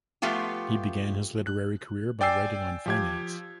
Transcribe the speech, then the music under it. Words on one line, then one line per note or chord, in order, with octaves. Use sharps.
He began his literary career by writing on finance.
F3 A3 B3 F4 G4
F#6
D5 G5 G#5 E6 C7
F3 G4 G#6